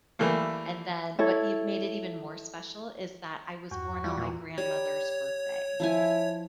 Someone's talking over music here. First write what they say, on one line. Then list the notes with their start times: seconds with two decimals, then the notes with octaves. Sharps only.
and then what y made it even more special is that I was born on my grandmother's birthday.
0.19 E3 G3 A3 A#3
1.19 E4 A4 C#5
3.71 E2 G2 F#4 G5
4.04 E3 G3 E4 F4 D5
4.18 A#2
4.58 G3 C#5
5.80 F3 E4 G#5